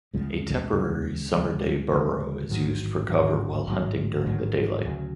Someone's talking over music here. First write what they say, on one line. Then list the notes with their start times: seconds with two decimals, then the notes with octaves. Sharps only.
A temporary, summer day burrow is used for cover while hunting during the daylight.
0.14 D2 C#3 F3 G#3
0.72 D2 C#3 F3 G#3
1.32 D2 C#3 F3 G#3
1.90 D2 C#3 F3 G#3
2.49 A1 G#2 D#3 F#3
3.08 A1 G#2 D#3 F#3
3.67 A1 G#2 D#3 F#3
4.26 A1 G#2 D#3 F#3
4.85 D2 C#3 F#3